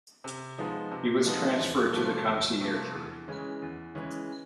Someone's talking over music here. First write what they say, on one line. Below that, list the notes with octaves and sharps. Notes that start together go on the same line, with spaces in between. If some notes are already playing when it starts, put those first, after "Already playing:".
He was transferred to the "Conciergerie".
C3
F3 G#3 B3 D#4
C3
F3 G#3 B3 D#4
E2
C3 F3 A3
E2
C3 F3 A3
E2
C#3 E3 G#3 C#4
E2
C#3 E3 G#3 C#4